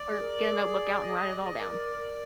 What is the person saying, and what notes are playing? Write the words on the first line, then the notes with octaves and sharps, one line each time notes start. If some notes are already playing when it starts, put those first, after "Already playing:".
or get a notebook out and write it all down.
Already playing: D5
G#4
A#4
A#4
G#4
D#5
D#5
D5
D#5
A#4 D5